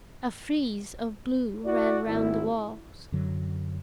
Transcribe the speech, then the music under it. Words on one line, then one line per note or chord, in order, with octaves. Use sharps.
A frieze of blue ran round the walls.
E4 F#4 D5
G#1 E4
F#2 D3 F#3